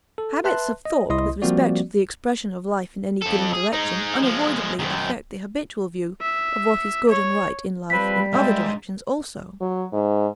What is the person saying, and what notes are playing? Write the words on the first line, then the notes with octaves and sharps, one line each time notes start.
Habits of thought with respect to the expression of life in any given direction unavoidably affect the habitual view of what is good and right in life in other directions also.
A4
B4 E5 A5 C6 F#6
D#5
C2 E4 D#5 C6 D#6
F3 G3 A#3 C4 F#4 D5
F2 A4
G#4
G#3 D#4
F3 G#3
F#2 D#3
E5
C#5
F3 G3 C4 B4 B6
F2 G#2 A#3 E5 G5
F#3
G#2